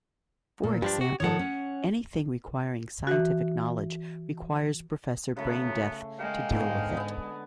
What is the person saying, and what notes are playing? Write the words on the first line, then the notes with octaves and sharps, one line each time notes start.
For example, anything requiring scientific knowledge requires Professor Braindeath to deal with it.
A#2
G2 F3 D4 G4
F#4
D#3 F3 A4 C#5 F#5
C#4
E3 F#4
F#2 C#3 A3 B3
G#3 A#3 F5 G5
G#2 D3 B3 A#5
B3 G#5